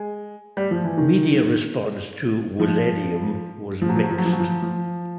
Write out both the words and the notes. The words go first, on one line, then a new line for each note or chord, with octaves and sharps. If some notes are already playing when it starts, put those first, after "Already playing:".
Media response to "Willennium" was mixed.
Already playing: G#3
G3
F3
E3
D#3
F3
F3
F#3
F3
F#3
F3
F#3
F3
F#3
F3
F3